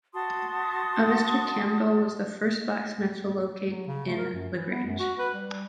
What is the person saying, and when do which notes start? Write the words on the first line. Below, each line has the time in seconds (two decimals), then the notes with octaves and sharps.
A Mr. Campbell was the first blacksmith to locate in LaGrange.
0.14 F#4 A5 C6 D#6
3.69 F#3
3.87 C#3
4.06 A3
4.18 A#4
4.33 F#2
4.56 E3
4.70 B3
4.86 F#2
4.99 F#4
5.18 B4
5.34 G3
5.52 G3